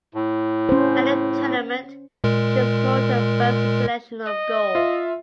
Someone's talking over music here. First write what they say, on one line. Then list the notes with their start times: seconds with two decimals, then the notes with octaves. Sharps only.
At the tournament she scored her first international goal.
0.14 A2
0.69 C#4 C5
2.24 A#2 G#3 A#4
4.27 D#5
4.75 F4 E5